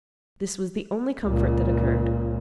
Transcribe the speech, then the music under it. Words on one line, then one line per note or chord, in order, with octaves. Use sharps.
This was the only comfort that occurred.
C#2 A#2